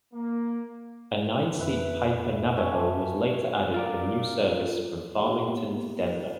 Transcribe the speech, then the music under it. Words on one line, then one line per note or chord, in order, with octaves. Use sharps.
A nine-seat Piper Navajo was later added for new service from Farmington to Denver.
A#3
F2 B4 E5
C#4 A4 E5
F4 A#4 D5
A#3 B3 D#4 G4